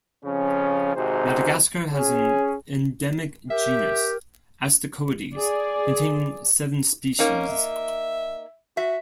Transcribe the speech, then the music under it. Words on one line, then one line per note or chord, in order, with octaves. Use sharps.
Madagascar has an endemic genus, "Astacoides", containing seven species.
F2 C#3 F3 C#4
G#1 C3 D#4 F#4 G#4 C5
C#4 G#4
G4 A#4 E5
G#4 D5
A#3 C#4 D#4
E5
F#4 E5